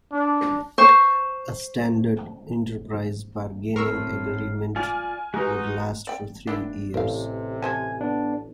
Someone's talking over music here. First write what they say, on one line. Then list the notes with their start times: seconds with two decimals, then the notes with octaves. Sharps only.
A standard enterprise bargaining agreement would last for three years.
0.12 D4
0.78 C5 C#6
3.76 A2 C4 A#4 C#6 E6 F6 C7
4.76 F4 D5 G#5 F6
5.34 G#3 D#4 F#4 G4 B4
6.07 D5 G5
6.47 A#3 D4 E4 G4
6.94 A1 C3 A#4 F5
7.62 G3 C5 G#5 A5 G#6
8.01 B3 D4